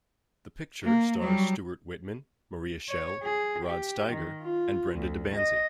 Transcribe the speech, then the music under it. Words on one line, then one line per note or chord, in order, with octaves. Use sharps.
The picture stars Stuart Whitman, Maria Schell, Rod Steiger and Brenda De Banzie.
A#3
F#3 G3
C#5
G#4
G4
D#3
F4
D2
D#5